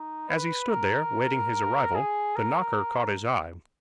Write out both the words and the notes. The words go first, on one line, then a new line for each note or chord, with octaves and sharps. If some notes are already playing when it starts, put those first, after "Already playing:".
As he stood there, waiting his arrival, the knocker caught his eye.
Already playing: D#4
B4
A#4
G#4
A#4